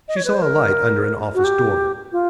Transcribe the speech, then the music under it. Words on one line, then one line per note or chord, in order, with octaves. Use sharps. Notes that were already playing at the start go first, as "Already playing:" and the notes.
She saw a light under an office door.
D#5
C#5
B4
C5
A#4
F#4
G4
F4